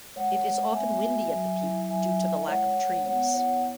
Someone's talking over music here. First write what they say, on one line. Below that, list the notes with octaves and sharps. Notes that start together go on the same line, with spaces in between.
It is often windy at the peak, due to the lack of trees.
G#3 C#5 F#5
G#3
B3 E5 G#5
F#4
F#3
E4
F#3 E5 G#5
E4
G#3 C#5 F#5
G#3
B3 C#5 F#5
E4 C#5 F#5